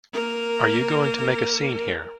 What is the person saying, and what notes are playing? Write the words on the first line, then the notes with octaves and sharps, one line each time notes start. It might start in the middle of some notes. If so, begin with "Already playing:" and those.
Are you going to make a scene here?
A#3 A#4